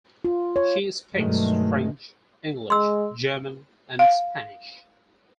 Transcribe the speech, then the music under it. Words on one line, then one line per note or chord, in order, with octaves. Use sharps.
She speaks French, English, German and Spanish.
F4
C#5
G2 B2 D#3 F#3 G#3 A3
G#3 C6 E6
F5